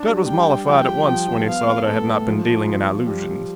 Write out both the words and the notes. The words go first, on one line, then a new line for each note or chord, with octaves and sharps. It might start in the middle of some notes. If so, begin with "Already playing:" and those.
Jud was mollified at once when he saw that I had not been dealing in allusions.
Already playing: D4
G3
G3 G5
G3
F3 G5
G4
F3 G5
F3
B3 F5
B3
A2 A4
A2
F3
F3
F3
F3
G3
G3